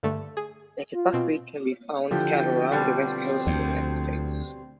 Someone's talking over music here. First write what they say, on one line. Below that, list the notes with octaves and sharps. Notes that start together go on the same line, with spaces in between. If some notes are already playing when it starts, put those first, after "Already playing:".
Naked buckwheat can be found scattered around the west coast of the United States.
G2 D3 A3
G#4
F4
B2 C4
D3 F3 E4 G4 G5
B2 G3 C4
D2